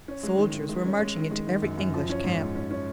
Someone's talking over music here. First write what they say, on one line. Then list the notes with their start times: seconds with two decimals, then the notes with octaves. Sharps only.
Soldiers were marching into every English camp.
0.08 C#4
0.23 G#3
0.38 D#3
0.54 D#3
0.69 G#3
0.85 C#4
1.00 G#3
1.16 D#3
1.31 G#3
1.47 D#3
1.62 F#2
1.77 F#2
1.94 F3
2.09 C#4
2.24 G#2
2.40 G#2
2.55 C#4
2.71 C#4